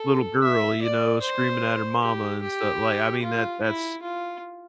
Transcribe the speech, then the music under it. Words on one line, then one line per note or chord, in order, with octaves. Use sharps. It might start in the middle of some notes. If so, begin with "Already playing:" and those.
little girl, you know, screaming at her mama and stu Like, I mean, that that's
Already playing: A4
E5
D5
C5
G4
G4
F4
E4
F4